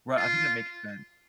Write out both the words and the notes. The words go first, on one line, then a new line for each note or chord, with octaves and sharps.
right, I think that makes sense.
F4